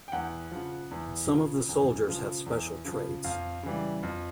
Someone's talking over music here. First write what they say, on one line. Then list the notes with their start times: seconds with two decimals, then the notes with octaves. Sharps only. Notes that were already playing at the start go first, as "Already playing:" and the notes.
Some of the soldiers have special traits.
0.08 G5
0.12 E2 F#5
0.52 C#3 F3
0.91 E2
1.29 C#3 F3
1.69 E2
2.08 C#3 F3
2.46 E2
2.85 C#3 F3
3.24 F2 F5
3.63 C#3 E3 G3
4.03 F2